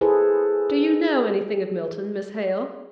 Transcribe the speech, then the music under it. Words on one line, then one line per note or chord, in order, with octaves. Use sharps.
'Do you know anything of Milton, Miss Hale?
E4 G#4 A4 B4 C5